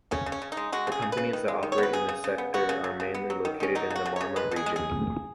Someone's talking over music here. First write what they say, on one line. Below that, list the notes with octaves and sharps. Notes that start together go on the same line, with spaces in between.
The companies that operate in the sector are mainly located in the Marmara Region.
C#3 C#4
C#3
C#4
C#3
D#4
G#3
G#3 F#4
C#3 G#4
C#3
B4
C#3
D#3
G#3
D#3
C#5
B3
B4
C#3 G#4
C#3
C#3
B3
B3 F#4
C#3
C#3
C#3
B3
F#3
D#3
D#3 C#4
F#3 D#4
C#3
F#4
C#3
C#3 C#5
G#3 B4
B2 G#4
G#3
G#4